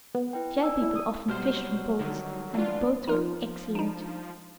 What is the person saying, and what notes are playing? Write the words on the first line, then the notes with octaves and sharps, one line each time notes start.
The Shell People often fished from boats, and the boats were excellent.
B3
E4 B4 G5
D5 G#5 E6
E4
D#6
B2 F#3 G3 C5 F6
D3 D#3
E3 D4 F4
F3 D#4 F4 A#4
D4 D#4